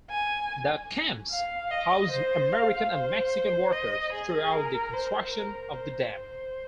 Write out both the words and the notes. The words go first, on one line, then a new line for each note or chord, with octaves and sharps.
The "camps" housed American and Mexican workers throughout the construction of the dam.
G#5
F5
D#5
C5
F5
C5
D#5
G#4
A#4
C5
A#4
C5
C5